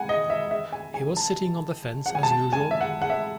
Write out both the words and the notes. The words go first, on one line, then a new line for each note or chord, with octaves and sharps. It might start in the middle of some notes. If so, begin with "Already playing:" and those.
He was sitting on the fence, as usual.
Already playing: F#5 G#5
D#5
E5
E5
G#5
G#5
A5
F#5
G#5
A5
G#5
E5
F#5
F#5
E5